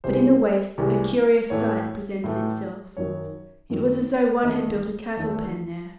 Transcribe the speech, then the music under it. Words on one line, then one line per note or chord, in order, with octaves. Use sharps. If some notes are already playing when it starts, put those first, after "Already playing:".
But in the waist a curious sight presented itself. It was as though one had built a cattle-pen there.
C2 C3 E3 G#3 C5
C2 C3 E3 G#3
A2 E3 A3 C#5
A2 E3 A3
F#2 D#3 F#3 C#5
F#2 D#3 F#3
E2 D#3 A3 D#5
E2 D#3 A3